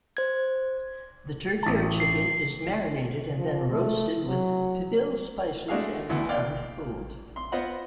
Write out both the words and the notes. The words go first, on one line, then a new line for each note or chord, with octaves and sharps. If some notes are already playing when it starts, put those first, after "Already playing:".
The turkey or chicken is marinated and then roasted with Pipil spices and hand-pulled.
C5 G#6
A1 A5
C7
F3
A3
F#3
G#3 A3 D4 F#4 G#4 F5
D2 E3 B3
A#3 D5 F5 G5
C6
B3 F4 C5 D#5 F#5 B5